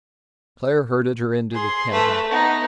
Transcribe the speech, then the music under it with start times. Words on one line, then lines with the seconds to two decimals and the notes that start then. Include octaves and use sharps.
Claire herded her into the cabin.
1.53 G#4 C6
1.92 A3 B4
2.30 B3 D#4